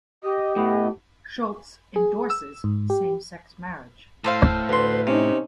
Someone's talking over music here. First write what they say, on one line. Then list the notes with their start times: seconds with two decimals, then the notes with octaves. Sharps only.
Schultz endorses same-sex marriage.
0.24 G4 D#5
0.56 A2 B3 D#5
1.96 G#4
2.30 E6
2.64 G#2
2.90 G4
4.24 A2 A4 C5 F5
4.69 D2 B4 C6
5.07 C3 C#4 D#4